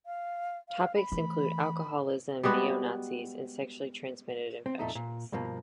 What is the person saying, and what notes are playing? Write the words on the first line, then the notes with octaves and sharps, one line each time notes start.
Topics include alcoholism, Neo Nazis and sexually transmitted infections.
F5
F5
B5
E3 A3
G3 G#3 B3 F#4
C4
F2 A#2 A3 D#4
A#2
G2 B2 F3 A#3